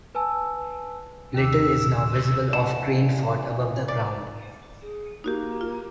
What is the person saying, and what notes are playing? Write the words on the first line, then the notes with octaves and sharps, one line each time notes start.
Little is now visible of Grain Fort above the ground.
B4 G#5 A5 E6
D#2 D#3 D6 E6
A#2 D3 E3 E7
D5
G#4
A#3 D#4 F#4 G4
F4